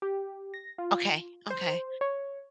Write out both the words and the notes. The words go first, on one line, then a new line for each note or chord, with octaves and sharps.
Okay, okay.
G4
A#6
F4
C5
C#5